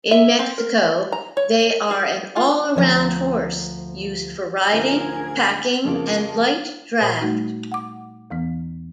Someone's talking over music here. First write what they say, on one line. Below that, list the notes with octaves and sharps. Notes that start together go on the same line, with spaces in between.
In Mexico, they are an all-around horse, used for riding, packing and light draft.
E5
C4
A#4
A#5
C#5
G#4
F4
D2 F3 C#5 A#5
D1 D3 F3 C#4 G#4 A#4 G#6
F2 C#3 F3 A#3
A#2 A#4 C5 D#6
G3 A3 D#4 F#4
F#5 D6
E2 E3 B3